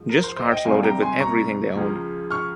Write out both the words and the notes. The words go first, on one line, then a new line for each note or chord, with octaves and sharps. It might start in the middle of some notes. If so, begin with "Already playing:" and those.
Just carts loaded with everything they owned.
Already playing: G#2 F3
A#4
C5
C5 D#5
D#5 G5
C2 C3 G3 F5 G#5
G5 A#5
G#5 C6
A#5 C#6
C#2 C#3 F3
C#6 F6